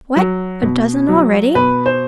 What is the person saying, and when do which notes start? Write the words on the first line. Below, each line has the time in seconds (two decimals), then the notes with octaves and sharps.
What! a dozen already?
0.16 F#3
0.63 B2
1.09 F#3
1.55 B2 B4
1.86 C5